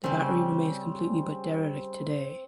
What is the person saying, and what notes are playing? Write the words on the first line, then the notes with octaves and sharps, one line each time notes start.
The battery remains complete but derelict today.
C#3 G3 C4